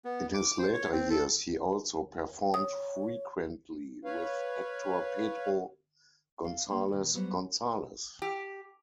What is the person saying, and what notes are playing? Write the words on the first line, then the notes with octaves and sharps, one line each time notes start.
In his later years he also performed frequently with actor Pedro Gonzalez-Gonzalez.
B3
D6
C5
C#5
C4
A4
C#5 D#6
B4 C#5 F5
A4 F5
A#3 D4
A#2 D#3
F#3 G3 B3 G4 C5 F#5
G4